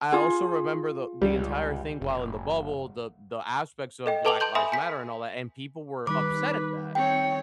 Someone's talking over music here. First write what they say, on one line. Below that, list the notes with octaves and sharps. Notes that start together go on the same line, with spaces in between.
I also remember the the entire thing while in the bubble, the the aspects of Black Lives Matter and all that, and people were upset at that,
F4 G#4
C#2 G3
F#1
A4 D#5 G5
A4 B4 A5 D6 F7 F#7
A5 C6 G6 F#7
E5 G#5 B5 C6 D#6
G#5 B6
D#3 G3 D#4 B4 D6
C4 C#5 G5